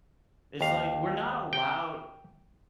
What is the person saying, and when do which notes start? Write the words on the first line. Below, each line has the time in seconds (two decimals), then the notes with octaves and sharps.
It's like we're not allowed
0.61 D#2 F5
1.53 G5